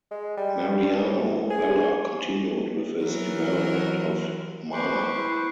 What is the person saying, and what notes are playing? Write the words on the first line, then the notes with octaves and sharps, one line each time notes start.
Mariano Vella continued with his development of Mana.
G#3
G3
A2
G#4
E3 F#3 A#4
B4 C5 C#6 D6
E4 C5